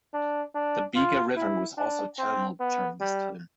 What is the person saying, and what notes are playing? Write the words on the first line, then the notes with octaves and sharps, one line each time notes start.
The Bega river was also channelled during this time.
D4
D4
F4
E4
D4
C4
B3
G3